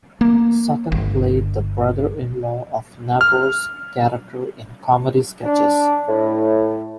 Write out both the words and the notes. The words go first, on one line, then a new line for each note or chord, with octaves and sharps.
Sutton played the brother-in-law of Nabors' character in comedy sketches.
A#3
G1
F6
D4
A2